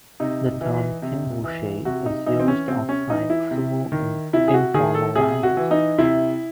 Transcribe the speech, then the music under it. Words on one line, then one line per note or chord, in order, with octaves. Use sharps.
The term "kinboshi" is used outside sumo in informal language.
C3 D#4
E3
C3
E3
C3 F#4
D#4
E3 D#4
C4
C#4
C3 C4
C#4
E3 D#4
E4
C3
D#3
C3 E4
G#4
F#4
D#3 G#4
A4
C3 G#4
F#4
E3
D#4
C3 E4